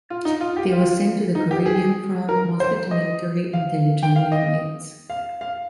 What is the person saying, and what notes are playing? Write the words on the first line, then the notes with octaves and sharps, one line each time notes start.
They were sent to the Karelian front, mostly to military intelligence units.
F4
D#4
F4
G4
F4
D#4
G4
G#4
A#4
C5
D#5
F5
G5
F5
D#5
F5
F5